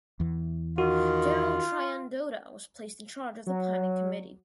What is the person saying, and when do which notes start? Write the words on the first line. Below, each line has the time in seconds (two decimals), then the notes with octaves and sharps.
General Traian Doda was placed in charge of the planning committee.
0.20 E2 E3
0.78 D#3 F4 F#4
3.47 F#3